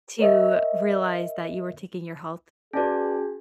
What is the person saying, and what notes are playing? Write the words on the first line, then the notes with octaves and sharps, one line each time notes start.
to realize that you were taking your health
A#4 C#5 D#5 E5
C#4 F#4 G#4 B4 D5 A5